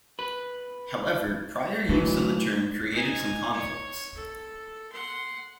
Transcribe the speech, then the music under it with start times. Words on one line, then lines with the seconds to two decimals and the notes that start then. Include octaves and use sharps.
However, prior use of the term created some conflicts.
0.19 B4 F#7
1.89 D2 A2 E3 F#3 A3 B4
2.92 D#4 G#5
3.53 C#5
4.16 A4
4.92 F#5 C6